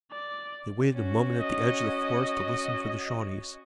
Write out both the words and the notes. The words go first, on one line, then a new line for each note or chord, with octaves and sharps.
They waited a moment at the edge of the forest to listen for the Shawnees.
D5
C#4 F#4
D#5